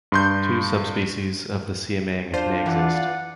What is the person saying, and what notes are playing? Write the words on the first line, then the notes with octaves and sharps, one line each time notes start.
Two subspecies of the siamang may exist.
G2 C6 G6
D4 F4 C5
E3 D5 F#5